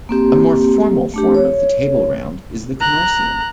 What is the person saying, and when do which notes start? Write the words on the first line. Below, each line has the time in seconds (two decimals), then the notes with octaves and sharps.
A more formal form of the tableround is the commercium.
0.09 A#3 C4 G4
1.14 A3 D4 G4
1.35 C#5
2.80 A#5 F#6